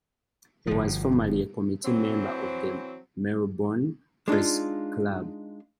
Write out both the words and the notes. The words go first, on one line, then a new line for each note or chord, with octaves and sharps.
He was formerly a committee member of the Melbourne Press Club.
G1 F3
E3 F#3 C4
G#3 D4 D#4 F4